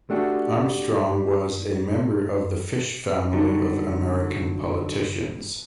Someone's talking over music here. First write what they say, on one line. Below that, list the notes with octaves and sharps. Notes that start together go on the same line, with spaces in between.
Armstrong was a member of the Fish Family of American politicians.
A3 D4 F#4 G4
D3 F#3 G3 D#4